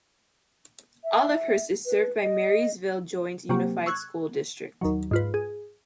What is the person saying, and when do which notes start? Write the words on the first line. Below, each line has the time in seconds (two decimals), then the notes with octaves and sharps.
Olivehurst is served by Marysville Joint Unified School District.
1.04 E5
1.86 B4
2.22 D#5
3.49 C3 F#3 A#3 G4
3.86 C#6 E6 F#6 G#6
4.81 D#2 D#3 F#3
5.11 G#2 F4 B4
5.34 G#4